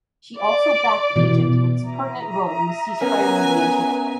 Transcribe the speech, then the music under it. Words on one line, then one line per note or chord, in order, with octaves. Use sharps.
She also backed Egypt in its pertinent role in the ceasefire mediation effort.
D5
B2 E3
E5 A#5 D#6
B3 C#4 A#4 B4 G#5